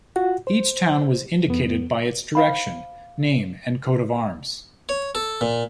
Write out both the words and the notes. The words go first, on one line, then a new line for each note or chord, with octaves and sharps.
Each town was indicated by its direction, name, and coat of arms.
F4 F#4 F#5
C5
F2 B3
C5 F5 B5
C#5
A4
A#2